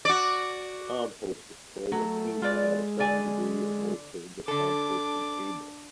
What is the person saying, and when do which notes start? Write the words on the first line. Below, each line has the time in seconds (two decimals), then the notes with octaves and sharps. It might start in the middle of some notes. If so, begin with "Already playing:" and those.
Composting toilets aim to have a certain degree of moisture in the composting chamber.
0.05 F#4 D5
1.92 F#3 A3
2.42 G#3 F4 B4 D5
2.99 D3 D5 G#5
4.48 D3 D4 A4 D6